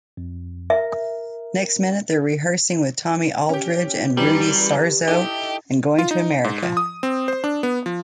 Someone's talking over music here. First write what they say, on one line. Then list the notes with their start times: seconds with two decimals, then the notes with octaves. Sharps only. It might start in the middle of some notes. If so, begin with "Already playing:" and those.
Next minute, they're rehearsing with Tommy Aldridge and Rudy Sarzo, and going to America.
0.17 F2
0.70 A#4 E5
3.49 C#4 G4
4.17 F#2 E3 G3 G4 B4 D5
5.08 D#4 E4 G4 A4 D#5 G5
5.99 F4
6.11 D#4
6.44 G#2
6.62 F3
6.77 D#6
7.03 C4
7.28 C5
7.44 D4
7.63 B3
7.86 F3